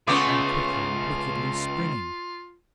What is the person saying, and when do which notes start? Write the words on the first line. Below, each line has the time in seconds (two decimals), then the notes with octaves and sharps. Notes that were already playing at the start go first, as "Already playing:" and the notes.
And quickly, wickedly springing!
0.08 C#2 C#3 A3 B3 C#4 F4 C#6 D6